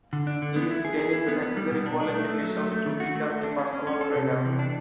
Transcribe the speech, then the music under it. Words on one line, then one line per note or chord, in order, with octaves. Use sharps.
He is gaining the necessary qualifications to become a personal trainer.
D3
D4
D3
B3
E4
G#4
G#4
E4
B3
B3
G3
B2
D4
D4
A3
A3
F#3
A3
A3
D#3
F#4
A3
A3
D4
C#4
C#4
C#4
A4
C3
C3
E3
D4